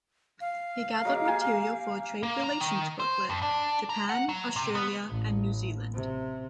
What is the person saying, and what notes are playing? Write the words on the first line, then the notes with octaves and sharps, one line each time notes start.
He gathered material for a trade relations booklet, "Japan, Australia and New Zealand".
F5
F#3 G#3 A#3
A#3 G4 G#5
A#3
A#5
D#3
C5
F2
D4
A#5
F#5
F#3
C3
B3
A1
C3